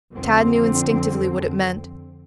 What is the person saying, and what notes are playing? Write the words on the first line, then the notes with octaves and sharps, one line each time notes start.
Tad knew instinctively what it meant.
F2 D3 C4